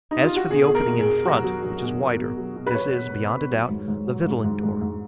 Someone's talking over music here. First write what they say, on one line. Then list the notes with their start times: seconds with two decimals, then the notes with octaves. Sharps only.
As for the opening in front, which is wider, this is, beyond a doubt, a victualling-door.
0.11 D#4
0.24 F4
0.36 F#4
0.50 B2 G#4
0.64 B2 G#4
0.75 A#4
0.87 B2
1.00 G#4
1.06 B2
1.25 F#3 F#4
1.44 F#3
1.62 F#3
1.82 B2
2.01 B2
2.19 B2
2.38 F#3
2.56 B2
2.67 B4
2.75 B2 C#5
2.94 B2
3.14 B2
3.31 B2
3.51 F#3
3.69 G#2
3.88 G#2
4.07 F#3
4.26 G#2
4.44 G#2
4.63 G#2
4.81 G#2